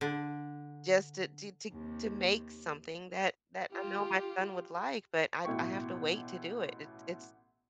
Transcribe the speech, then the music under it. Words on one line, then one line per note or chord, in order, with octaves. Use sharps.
just to to to to make something that that I know my son would like, but I I have to wait to do it. It it's
D3
D#2 C3
F4 G4
A1 B2 E4 G5 C#6